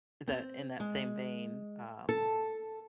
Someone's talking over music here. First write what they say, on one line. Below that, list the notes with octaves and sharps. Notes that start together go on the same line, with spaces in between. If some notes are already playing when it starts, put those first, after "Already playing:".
the in that same vein, um,
C4
G#3
A4